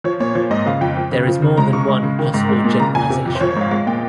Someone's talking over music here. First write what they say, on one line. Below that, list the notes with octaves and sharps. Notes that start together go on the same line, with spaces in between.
There is more than one possible generalization.
F3 C#5
A#2 C#5
F3 C#5
G#2 D#5
C#3 F5
F2 G5
F3
C#3
F3
C#3
G#3 A#5
C#3 C#6
G#3
C#3
D#3
G#2
G#3
A#2
C#3 A#5
F2 G#5
C3
F2
C5
F3 C#5
C#5
G#2 F5
G#3 F5
A#2 G5